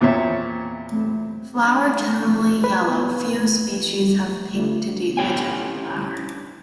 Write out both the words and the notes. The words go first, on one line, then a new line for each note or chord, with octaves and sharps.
Flower generally yellow, few species have pink to deep magenta flower.
E2 A#2 C4 C#5 E5
B4
C#4 E4 G4 C#5 G5 G#5